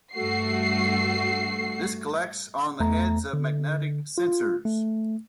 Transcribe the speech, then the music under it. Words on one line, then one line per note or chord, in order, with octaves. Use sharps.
This collects on the heads of magnetic sensors.
G2 A3 F#4 C7
E2 A3 A#5
D3
F4
A3